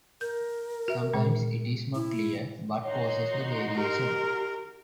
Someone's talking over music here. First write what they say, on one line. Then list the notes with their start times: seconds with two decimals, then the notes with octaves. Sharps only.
Sometimes, it is not clear what causes the variation.
0.21 A#4 G6
0.88 F#4 E5
1.14 A#2 G#3
1.95 E4
2.84 D#4 F#4 C#5 C6
3.76 G4 A#4